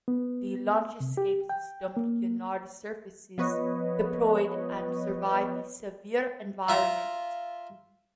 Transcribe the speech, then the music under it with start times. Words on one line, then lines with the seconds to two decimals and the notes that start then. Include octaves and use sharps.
The launch escape system canard surfaces deployed and survived the severe environment.
0.08 B3
1.00 C3
1.17 G4
1.49 G5
1.97 A#3
3.38 F3 B3 B4 C#5 D#5
6.69 F4 E5 A#5